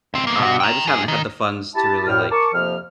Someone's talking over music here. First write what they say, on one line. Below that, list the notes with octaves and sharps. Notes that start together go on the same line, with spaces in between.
uh, I just haven't had the funds to really, like
C#2 C4
A#3 B3
B2 F#4
G5 A#5
G2 G#4
D#3
E4 G4 A5
C2 F#2 A2 C#5 G5 F6
A#4 A5 C#6 D6
F2 C3 F3 A#3 F6